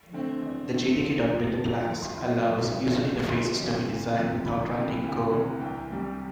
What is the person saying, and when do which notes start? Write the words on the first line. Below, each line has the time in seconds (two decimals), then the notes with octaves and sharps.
The "Gtk.Builder class" allows user interfaces to be designed without writing code.
0.13 D3 A3 C4
0.41 E2
0.71 D3 A3 C4
0.99 G1
1.28 F2 E3
1.57 G1 A5
1.86 F2 E3
2.02 C6
2.14 B1 B5
2.44 A2 F3
2.73 B1
3.02 A2 F3
3.30 D2 C6
3.60 C3 F3
3.88 D2
4.17 C3 F3
4.46 D2 B5
4.74 C3 E3
5.04 D2
5.32 C3 E3
5.61 C2 G5
5.90 C3 G3